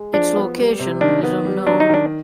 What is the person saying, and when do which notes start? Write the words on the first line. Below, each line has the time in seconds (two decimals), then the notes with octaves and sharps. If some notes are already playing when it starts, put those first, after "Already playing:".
Its location is unknown.
Already playing: G#3
0.13 F3 D4
0.36 B3
0.58 G3
0.80 C3
1.01 D#3 D4
1.24 B3
1.45 G3
1.67 F#3 D4
1.80 D#4
1.90 D#3 D4